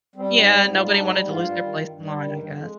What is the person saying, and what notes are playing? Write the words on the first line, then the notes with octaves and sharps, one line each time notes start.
Yeah. Nobody wanted to lose their place in line, I guess.
G3 C4
G#2 C4
G3
G#2 C4
G3 F4
G#2 D#4
D4
G3 D#4
G#2
G2 F4
G3
D#3
G2
G2
G3
D#3
G2
F2
G#3